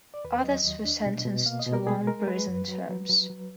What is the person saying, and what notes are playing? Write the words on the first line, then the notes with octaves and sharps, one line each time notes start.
Others were sentenced to long prison terms.
D5
D#2 B4
F#3 D#5
D#2
D4
B2
B2
A#3 F5
D#5
B2
A#4
G#3 G#4
G#3 A#4
G#3 B4
F#2
F#3
F#3
F#3
F#3